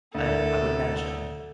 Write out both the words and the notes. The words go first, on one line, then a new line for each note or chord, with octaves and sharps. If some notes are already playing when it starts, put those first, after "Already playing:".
I I would imagine.
D2 E4 A4 A#4